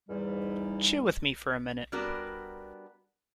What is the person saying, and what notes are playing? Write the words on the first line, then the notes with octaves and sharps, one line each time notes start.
Chill with me for a minute.
E2 G#2 G3
G3 B3 D4 F#4 A#4